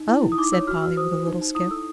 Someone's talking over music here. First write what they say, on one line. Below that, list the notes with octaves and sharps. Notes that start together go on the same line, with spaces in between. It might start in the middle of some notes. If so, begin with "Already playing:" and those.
"Oh!" said Polly, with a little skip.
Already playing: D#4
E4
E4
D#6
D#4 D6
C#5 E6
F#4 F6
F#4 E6
C5 D#6
C5
D#4
D#4
E4 D#6
A4 E6